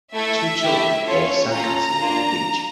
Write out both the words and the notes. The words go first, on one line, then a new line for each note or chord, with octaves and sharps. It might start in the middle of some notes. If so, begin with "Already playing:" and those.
Two children build a sand castle on the beach.
A3 E4 A4 E5
A3 E4 G4
C#4 F4 A4 C#5
C#4 F4 A4 A#5
A#3 D4 F4